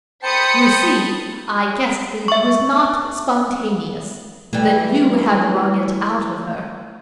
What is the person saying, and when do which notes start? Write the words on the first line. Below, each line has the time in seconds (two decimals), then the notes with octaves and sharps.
"You see, I guessed that it was not spontaneous; that you had wrung it out of her."
0.23 C5 G5 A5 B5 D#6 C#7
2.28 E5 C#6
4.53 E3 G3 A3